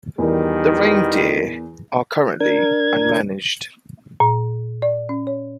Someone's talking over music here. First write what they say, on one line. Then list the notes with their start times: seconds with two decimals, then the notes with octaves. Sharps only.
The reindeer are currently unmanaged.
0.18 E2 B2 D#3 G3 A#4
2.40 D4 A#4 G#6
4.20 A#2
4.82 D5
5.09 C#4
5.27 C#5